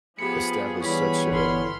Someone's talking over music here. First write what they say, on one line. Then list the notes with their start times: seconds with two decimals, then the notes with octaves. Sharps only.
establish such a
0.19 F3 B3 G4 G#4 B5 C#7
0.81 E3 G3 B3 G#4 C#5 B5
1.31 G1 A4 B5 C6 F6